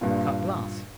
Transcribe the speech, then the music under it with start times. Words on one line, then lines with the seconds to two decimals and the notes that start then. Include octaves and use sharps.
Cut glass.
0.01 G2 A#2